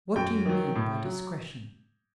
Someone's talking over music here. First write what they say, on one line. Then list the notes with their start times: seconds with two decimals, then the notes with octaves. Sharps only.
"What do you mean by discretion?"
0.16 F#2 G5
0.46 D#3 F#3
0.75 A2
1.04 F#3